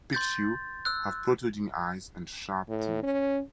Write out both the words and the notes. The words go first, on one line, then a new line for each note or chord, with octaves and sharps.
Pixiu have protruding eyes and sharp teeth.
C6 G6 A6
E6 F#6
A2
C#4